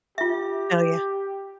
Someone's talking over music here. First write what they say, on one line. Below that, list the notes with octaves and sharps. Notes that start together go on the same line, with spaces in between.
Oh, yeah.
F4 G4 E5